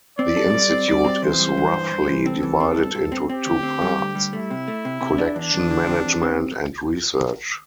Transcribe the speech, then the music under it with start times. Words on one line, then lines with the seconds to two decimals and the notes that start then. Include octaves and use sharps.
The institute is roughly divided into two parts: Collection Management and Research.
0.19 C4 D5
0.37 A4
0.54 G3
0.70 C4
0.88 G3
1.04 C4
1.22 E3 C5
1.39 G3
1.57 E3
1.74 G2
1.91 G2
2.09 E3
2.25 C4 A4
2.43 E3
2.60 C4
2.77 G2
2.95 G2
3.12 C4
3.29 C4 G4
3.46 D2
3.63 C4
3.81 G3
3.99 D2
4.15 G3
4.32 A3 E4
4.50 C3
4.68 A3
4.85 C3
5.01 C3
5.18 D4
5.36 E2 D4
5.54 E2
5.71 D3
5.87 C4
6.05 E2
6.22 C4